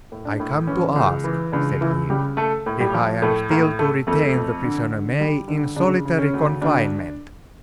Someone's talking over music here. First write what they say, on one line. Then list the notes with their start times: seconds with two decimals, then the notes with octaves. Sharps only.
"I come to ask," said he, "if I am still to retain the prisoner May in solitary confinement?"
0.12 A2
0.25 D4
0.40 A2
0.67 E3 C#4
0.96 C#2
1.24 E3
1.52 C#2 D4
1.81 C#2 E3 E4
2.10 C#3 G3 G4
2.37 A3 A4
2.66 A2
2.80 G3 G4
2.94 F3
3.22 A2 A3 A4
3.50 A2 A#3 A#4
3.79 A3 A4
4.07 F2 A3 A4
4.35 F2
4.63 D3
4.92 D3
5.20 G3
5.48 D3
5.76 C#3 D4
6.05 C#3
6.18 C#4
6.34 D2
6.61 D2 D4